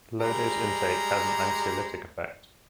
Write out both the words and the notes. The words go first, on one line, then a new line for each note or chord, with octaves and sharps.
Low dose intake has an anxiolytic effect.
G3 G#3 A#5